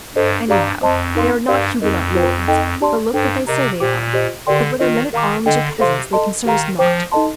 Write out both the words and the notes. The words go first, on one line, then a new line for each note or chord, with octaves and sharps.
Anyhow they are not Huguenot lords, but look what they say they are; but whether men-at-arms, or peasants, they concern us not.
G2 A4 C5 D#5
G2 G4 D5 F5 A#5 D6
F2 C5 D#5 A5 C6
D#4 A#4 F5 C6
G2 G4 A#4 D5 F5
F2 D#4 A#4 D#5
F4 C5 G5
D#4 A4 D#5 G5
D4 G4 D5 A5 C6
G2 D4 A4 C5 G5
C3 A#4 D#5 A#5
A#2 G4 C5 G5 D6
G4 C5 D#5
D3 G4 A#4 D5 G5 C6
D#3 D4 F4 A#4 D#5
D#3 A#4 F5 A#5 D6
D3 D4 A4 D#5 G5
C3 A4 C5 F5 C6
A4 D#5 A5 C6
D#3 G4 A#4 F5 A#5
F3 C5 G5 D6
D#4 A4 D#5 A5 C6